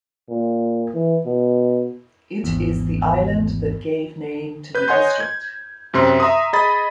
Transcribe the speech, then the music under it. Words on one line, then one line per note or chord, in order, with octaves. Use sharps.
It is the island that gave name to the district.
A#2
E3
B2
G#1 E2
B4 G6
C#5 D#5 F#5 G#5 C6 G6
G#6
F#2 C3 C4 C6
E5 A#5 C6 D#6
G#4 D#5 B5 A6